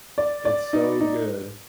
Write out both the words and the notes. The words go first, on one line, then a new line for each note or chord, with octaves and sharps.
it's so good.
D5
D5
D#4
D#4